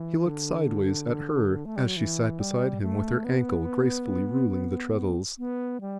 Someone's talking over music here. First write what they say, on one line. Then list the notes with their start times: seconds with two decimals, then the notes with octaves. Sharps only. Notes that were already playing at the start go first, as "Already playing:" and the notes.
He looked sideways at her as she sat beside him with her ankles gracefully ruling the treadles.
Already playing: E3
0.26 D3
1.65 A3
1.76 G3
1.86 F#3
1.97 E3
2.40 G3
2.82 A3
3.25 B3
5.39 B3
5.81 G3